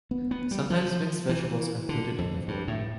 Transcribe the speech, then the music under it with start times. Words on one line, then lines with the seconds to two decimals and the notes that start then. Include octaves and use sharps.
Sometimes mixed vegetables are included in the filling.
0.11 B3
0.31 B3
0.51 G3
0.70 F3
1.29 E3
1.89 D3
2.19 F2
2.48 G2
2.68 A2